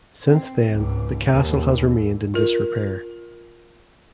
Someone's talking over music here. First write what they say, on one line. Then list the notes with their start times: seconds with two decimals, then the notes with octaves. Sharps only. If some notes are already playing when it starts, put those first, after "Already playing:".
Since then the castle has remained in disrepair.
0.22 C4
0.72 C#2 G#2
1.30 D#2
2.34 F4 A#4